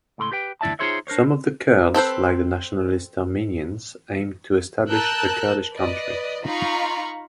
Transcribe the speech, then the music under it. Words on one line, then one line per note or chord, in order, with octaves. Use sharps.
Some of the Kurds, like the nationalist Armenians, aimed to establish a Kurdish country.
C#2 A2 A4 B5 C6
G4 B4 G5
D2 D3 E4 D5 E5 A5
D#4 F4 G#4 C5 C#5 E5
D4 A#4 C5 C#5
C4 A4 B4 C5
A#4 A5 E6 F#6 G6
B4 D5 D#5
D#4 F4 F5 A#5 B5 C#6